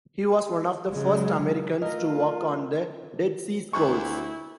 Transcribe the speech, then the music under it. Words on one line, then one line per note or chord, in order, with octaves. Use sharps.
He was one of the first Americans to work on the Dead Sea Scrolls.
C#3 F#3 G#3
A3 F4 A#4 D#5
D2 E4 C#6